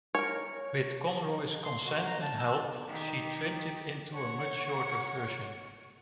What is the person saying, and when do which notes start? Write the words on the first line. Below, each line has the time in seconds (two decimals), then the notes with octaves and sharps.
With Conroy's consent and help, she trimmed it into a much shorter version.
0.15 A#4 C#5
1.65 C6
1.86 F#4
2.07 A#5
2.22 A5
2.39 E6
2.88 D#3 G4
4.12 C#5 F#5 C#6